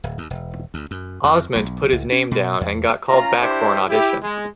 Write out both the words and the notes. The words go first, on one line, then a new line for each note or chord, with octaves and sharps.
Osment put his name down and got called back for an audition.
D1
D#2
E1
D2
F#2
F2
B1
C#2
C#4
B2
E2
C#4 F4 A#5
D4 E4 G4 C5
E4 G4
G#3